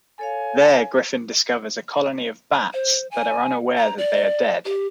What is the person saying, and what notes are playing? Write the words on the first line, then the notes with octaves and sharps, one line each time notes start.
There, Griffin discovers a colony of bats that are unaware that they are dead.
A4 C#5 F5 G#5
C5
G#5
A#5
D5
G4